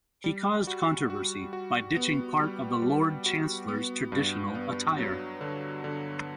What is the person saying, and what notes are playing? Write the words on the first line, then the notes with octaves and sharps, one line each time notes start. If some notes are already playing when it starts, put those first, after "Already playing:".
He caused controversy by ditching part of the Lord Chancellor's traditional attire.
G3
F#4
F#4
F#4
B3
G3
G3
F#4
B3
G2
B3
F#3
D3
D3